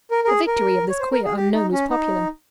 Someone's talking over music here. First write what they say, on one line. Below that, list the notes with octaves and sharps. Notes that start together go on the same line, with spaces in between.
The victory of this queer unknown was popular.
A#4
A#4
G#4
A#4
C#5
C5
A#4
G#4
G4
D#4
C#4
D#4